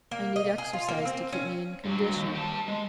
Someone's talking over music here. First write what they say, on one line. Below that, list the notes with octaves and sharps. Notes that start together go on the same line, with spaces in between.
I need exercise to keep me in condition.
A#3
D#5
G#4
F4
A#3
C4
C#4
G2 F#3
D#2
G4 A5
G#3